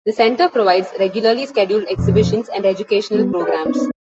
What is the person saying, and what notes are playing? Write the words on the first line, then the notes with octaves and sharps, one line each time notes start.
The Center provides regularly scheduled exhibitions and educational programs.
F2 B2 D3 F3
G3 B3
G#4 B4 D5 F#5 G5 A#5
B3 C4 D4 D#4 C#5